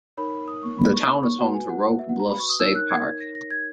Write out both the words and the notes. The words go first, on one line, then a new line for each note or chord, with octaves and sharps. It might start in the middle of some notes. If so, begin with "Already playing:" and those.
The town is home to Roque Bluffs State Park.
D#4 A#4 C#5 B5
D#6
C#6
B5
C#6
B5
C#6
F#4 B4 F#5
G#5
F#5
E5
F#5
A#5
B5
C#6
D#6
D#4 A#4 C#5 E6
F#6
G#6
A#6
A#6
G#6